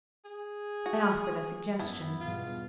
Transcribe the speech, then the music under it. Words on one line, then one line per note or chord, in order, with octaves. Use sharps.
I offered a suggestion.
G#4
F#4
F#2 B3 E4
E2 G2 B2 F4